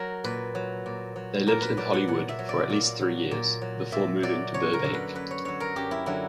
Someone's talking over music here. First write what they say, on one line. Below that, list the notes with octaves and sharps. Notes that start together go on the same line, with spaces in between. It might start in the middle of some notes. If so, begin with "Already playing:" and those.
They lived in Hollywood for at least three years, before moving to Burbank.
Already playing: F#3 A#4
A#2 B4
F#3
A#2
F#3
A#2 A#4
B4
F#3 D5
F#5
A#2 F#5
E5
F#3
D5
A#2
F#3
A#2
F#3
A#2 E5
F#3 D5
F#2 C#5
A#4
D3 F#3
B4
F#2 B4
C#5
D3 F#3 C#5
A#4
F#2 G4
E4
D3 F#3 E4